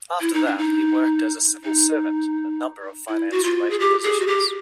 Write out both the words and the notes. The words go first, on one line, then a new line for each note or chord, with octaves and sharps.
After that he worked as a civil servant in a number of finance-related positions.
E4
D#4
D4
D#4
D#4
E4
F#4
F4
G#4
G4
G#4
F#4
G4